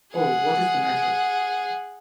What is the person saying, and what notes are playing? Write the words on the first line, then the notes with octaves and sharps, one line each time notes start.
Oh, what is the matter?
G#4 F#5